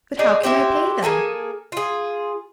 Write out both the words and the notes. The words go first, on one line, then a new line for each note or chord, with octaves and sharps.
"But how can I pay them?"
D#4 G#4 D5
E4 F#4 G4 C5
A#3 G#4 A4 G#5
F4 G#4